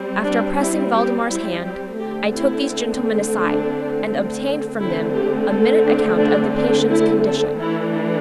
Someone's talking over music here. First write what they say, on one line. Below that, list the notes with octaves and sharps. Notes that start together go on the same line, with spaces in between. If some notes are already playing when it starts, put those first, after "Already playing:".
After pressing Valdemar's hand, I took these gentlemen aside, and obtained from them a minute account of the patient's condition.
Already playing: G3 C4
D4
E4
G4
E4
G4
D3 A3 C4 G4
E4
D4
D3 A3 C4 E4
G4
A4
D4
D4
D4
E4
A4
E3 A3 D4 E4